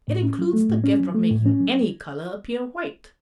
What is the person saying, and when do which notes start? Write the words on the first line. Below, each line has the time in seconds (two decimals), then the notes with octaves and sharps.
It includes the gift of making any color appear white.
0.08 A2
0.23 C#4
0.39 F#3
0.53 A3
0.69 A2
0.84 C#4
1.00 F#3
1.15 A3
1.31 A2
1.46 C#4
1.60 F#3